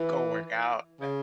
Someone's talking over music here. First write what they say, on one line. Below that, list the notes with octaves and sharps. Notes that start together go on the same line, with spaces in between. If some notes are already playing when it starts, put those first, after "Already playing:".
go work out, that
Already playing: E3
C#3